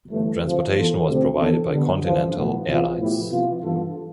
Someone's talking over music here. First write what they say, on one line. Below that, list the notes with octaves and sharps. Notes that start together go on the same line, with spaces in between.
Transportation was provided by Continental Airlines.
G1 G2 E3 A3
D2 C3 F3
E3 B3 F4 A4
D2 C3 G3 C4 G4
E3 B3 D4 A4
D3 G3 B3
A1 G2 F3
B1 A2 E3 B3
E2 C3 F3 B3 F4
A2 F3 B3 E4 G4
C3 F3 B3 F4
G2 E3 B3 F4 A4